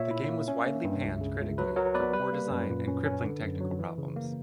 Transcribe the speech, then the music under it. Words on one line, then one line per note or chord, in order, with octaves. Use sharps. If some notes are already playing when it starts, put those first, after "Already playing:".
The game was widely panned critically for poor design and crippling technical problems.
Already playing: A#2 C#5 E5
E4
A#3
C#4
A#3
G2
C#2
C#3
C#2
F#3 B4
F#3 A#4 C#5
B3 B4 D5
G3 B4
A#3
F#2
A#2
C#4
C#4
D3
F#2
F#3
E3
C#3
A#3